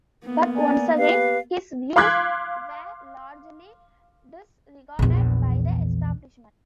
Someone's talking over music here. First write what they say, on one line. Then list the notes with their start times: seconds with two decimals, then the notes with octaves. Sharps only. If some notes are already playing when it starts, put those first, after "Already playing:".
But once again, his views were largely disregarded by the establishment.
0.24 A#3 B3
0.55 D5 G#5 A#5
0.96 G4 B4 F5
1.96 F5 C6 D6 F#6 G#6 B6
4.99 A#1 E2